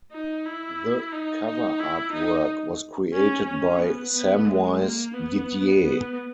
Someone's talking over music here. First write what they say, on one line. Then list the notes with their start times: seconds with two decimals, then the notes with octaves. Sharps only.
The cover artwork was created by Samwise Didier.
0.12 D#4
0.45 E4
1.12 D#4
1.46 D#4
1.80 E4
2.12 D#4
3.13 C#4
3.46 C#4
3.80 B3
4.14 B3
4.47 G#3
4.81 A#3
5.13 B3
5.81 B3